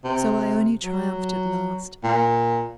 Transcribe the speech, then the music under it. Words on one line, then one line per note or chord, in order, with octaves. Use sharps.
So Ione triumphed at last.
C3
F#3
A#2